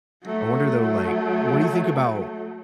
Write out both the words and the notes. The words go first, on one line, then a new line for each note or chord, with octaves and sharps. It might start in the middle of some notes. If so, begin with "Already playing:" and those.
I wonder, though, like, what do you think about
F#3 A3